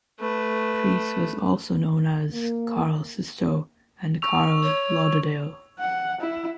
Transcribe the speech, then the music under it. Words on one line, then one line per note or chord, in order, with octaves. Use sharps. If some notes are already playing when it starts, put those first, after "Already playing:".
Preece was also known as Carl Sisto and Carl Lauderdale.
A3 B4
A#3
C#6 E6 F7
C#5
F#5
E4